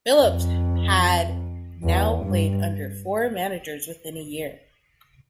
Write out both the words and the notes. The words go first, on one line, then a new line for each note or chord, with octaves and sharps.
Phillips had now played under four managers within a year.
F2
E2
G2